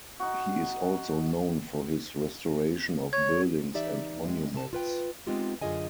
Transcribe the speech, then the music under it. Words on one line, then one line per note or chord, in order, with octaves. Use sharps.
He is also known for his restoration of buildings and monuments.
D#4 F#4
C#5 G#6
E3 D#4 G4 D5 E5
G#3 C4
C3 A5
F4 B4 G5
G#3 B3 C4 D#4 F4 G4
F#2 D3 F4 G#4 D#5 G#5